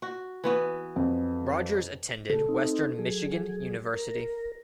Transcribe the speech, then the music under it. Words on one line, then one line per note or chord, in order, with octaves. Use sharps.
Rogers attended Western Michigan University.
F#4
E3 B3 F#4
F2
C#3 A4
C4 D#4
F#3 G#4
A#4